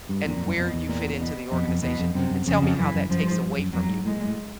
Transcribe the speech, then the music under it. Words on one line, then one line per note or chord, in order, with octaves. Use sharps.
and where you fit into the organization, and tell me how that takes away from you."
G2
E2 A#2
F2
F#2
F2 B2
E2
A#2
B2
F2 B2
F2
E2 B2
F2
F#2 C3
F#2
F2 C#3
F2
F#2 E3
F#2
F#2 F3
G2
G#2
G2
F#2
F2 F#3
G#2
A2 G#3
A#2
A2